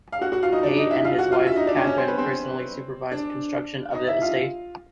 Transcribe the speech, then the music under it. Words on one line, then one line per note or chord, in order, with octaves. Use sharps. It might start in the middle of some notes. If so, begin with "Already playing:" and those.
Hay and his wife Katherine personally supervised construction of the estate.
F5
F#4 F#5
F#4 F#5
F4 F5
D#4 D#5
D4 D5
D#4 D#5
E4 E5
F4 F5
F#4 F#5
F4 F5
E4 E5
D#4 D#5
D4 D5
C#4 C#5
C#4 C#5
C4 C5
B3 B4
C4 C5
D4 D5
D#4 D#5
E4 E5
F4 F5